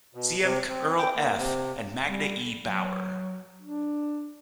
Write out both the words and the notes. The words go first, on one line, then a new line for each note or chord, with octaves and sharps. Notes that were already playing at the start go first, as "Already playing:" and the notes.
Ziemke, Earl F. and Magna E. Bauer.
B2
C3
C4
G5
A#3
C3
G3
F#3
D4